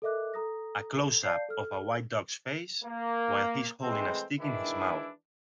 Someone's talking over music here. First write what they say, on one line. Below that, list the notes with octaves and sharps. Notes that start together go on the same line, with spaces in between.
A closeup of a white dog 's face while he is holding a stick in his mouth.
A4 A#4 D#5 E5 D6 F#6
A4 A#5 D#6 A#6
D5 F5 A5 G6 C7
A4 F6
A#3
E3 G#3 A3 C4
D#3 E3 G#3 D4 E4